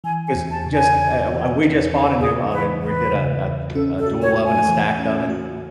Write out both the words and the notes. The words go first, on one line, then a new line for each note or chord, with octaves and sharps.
'Cause just, eh, eh, wha we just bought a new oven. We did a a a dual oven, a stacked oven
E3 G#5
G#5
E2
A5
C#3
G#5
E2
E3
E2
C#3
E2 G#4
E3 B4
E2 B4
C#3
E2
C#4 A4
A4
F#4
C#5
A3
G#5
E3
C#4
F#4